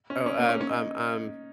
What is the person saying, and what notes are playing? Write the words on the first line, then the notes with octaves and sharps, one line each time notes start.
Oh, um um um
C#4
C#4
A#3
C#4
C#4
D#4